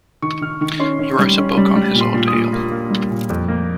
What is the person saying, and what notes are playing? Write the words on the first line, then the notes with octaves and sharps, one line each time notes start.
He wrote a book on his ordeal.
D#3 C#6
D#3 F6
D#3 C#6
C#4 C6
C#4
G3
C#4
G3
G3
A#2
C6
A#2
D#6
A#2
A#3
A#3
G3
A#2
F2
A#3